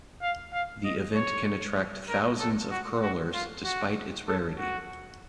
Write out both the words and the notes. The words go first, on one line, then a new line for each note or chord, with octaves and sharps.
The event can attract thousands of curlers despite its rarity.
F5
F5
D#5
C#5
A#4
A4
F#4
F#4
F4
F#4
A4
F#4